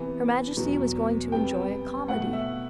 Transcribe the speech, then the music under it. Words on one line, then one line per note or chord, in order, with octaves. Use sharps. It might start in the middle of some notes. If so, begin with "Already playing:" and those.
Her Majesty was going to enjoy a comedy.
Already playing: C3 E3 B3
E2 B2 F#3
C3 G3 B3 G5
B2 A3 F#5
E5